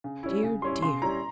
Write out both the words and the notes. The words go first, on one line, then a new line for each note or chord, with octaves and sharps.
Dear! dear!
C#3
G3 C#4 E4
C#3
G3 C#4 E4 C6
C#3 C6
G3 C#4 E4 A#5